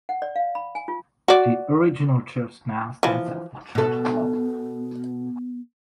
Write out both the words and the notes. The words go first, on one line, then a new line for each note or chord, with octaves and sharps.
The original church now stands as the church hall.
F#5
D5
F5
B5
G#5
F4
F#4 D5
E3 F3
B2 B3 A4